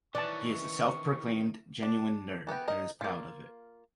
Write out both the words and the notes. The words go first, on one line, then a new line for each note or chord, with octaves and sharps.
He is a self-proclaimed "Genuine Nerd," and is proud of it.
D#3 E3 C#4 D5 A5 C#6
D4
E3 B3 B4 G5
D#4 A#4 D#5
A#3 F4